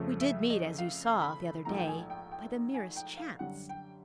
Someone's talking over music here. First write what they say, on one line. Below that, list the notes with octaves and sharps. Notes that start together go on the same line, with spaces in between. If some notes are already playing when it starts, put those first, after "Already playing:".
We did meet, as you saw, the other day, by the merest chance.
Already playing: F2 C#3 F3 A3
E5
D#5
F5
B5
A#1 G#2 F3 A3 A#5
G5
G#5
G5
G5
G#5
G5
F5
F#2 D3 G3 F#5
G5